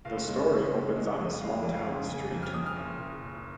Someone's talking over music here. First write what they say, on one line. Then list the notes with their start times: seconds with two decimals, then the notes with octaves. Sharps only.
The story opens on a small-town street.
0.05 F#1 F5
0.27 G#3
0.49 C#3
0.73 G#3
0.96 G#3
1.18 F2
1.41 G#3 F5
1.63 F2
1.74 F5
1.86 C#3
2.09 C#3 G#5
2.31 F2
2.43 F6
2.53 F2 D#6
2.66 F6
2.76 F#1
2.99 F#1
3.22 F#1